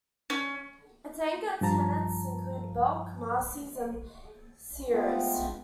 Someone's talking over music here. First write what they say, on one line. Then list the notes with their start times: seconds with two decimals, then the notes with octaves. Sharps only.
Its anchor tenants include Belk, Macy's, and Sears.
0.30 C#4
1.61 G2 F3 A5 A#5
4.91 G#3 A3 B3 C4 F4